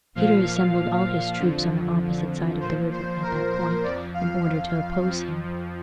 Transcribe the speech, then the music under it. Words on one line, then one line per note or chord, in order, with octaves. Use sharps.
Peter assembled all his troops on the opposite side of the river at that point in order to oppose him.
A#2 F3 F5
F2 D3 F3
A#2 F3 C5
C5
A#4
C5
F2 F3 D5
F5
F2 F3